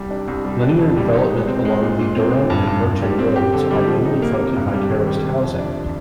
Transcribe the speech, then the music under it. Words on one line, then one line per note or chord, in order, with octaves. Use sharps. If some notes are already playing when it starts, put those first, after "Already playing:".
Linear development along the Durham and Murton Roads are mainly fronted by terraced housing.
Already playing: C2 G3
D4
C2
G3
D4
F2
G3
D#4
G#3
C4
G#3
A#2
A#2
C4
A#2
G2
G2
G2
G3
C4
G4
D3
G3
F3
D#4
A#3
C3
G2
G3
D#3
G3
C3
F2
D4